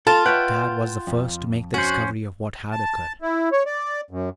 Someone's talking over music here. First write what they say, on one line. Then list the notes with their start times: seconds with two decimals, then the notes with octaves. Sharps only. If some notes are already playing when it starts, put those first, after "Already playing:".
Tad was the first to make the discovery of what had occurred.
0.07 F4 A4 A5
0.26 B4 C#5 E5 F#5 G5
1.07 F2
1.74 C#4 F#4 C5
2.72 A5
3.22 E4
3.52 C#5
3.66 D5
4.11 F#2